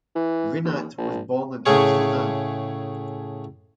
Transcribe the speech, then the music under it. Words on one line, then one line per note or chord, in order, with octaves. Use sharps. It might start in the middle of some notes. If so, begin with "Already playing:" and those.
Rinat was born in Amsterdam.
E3
D#2
A#1
A2 C#3 A3 G#4 C#5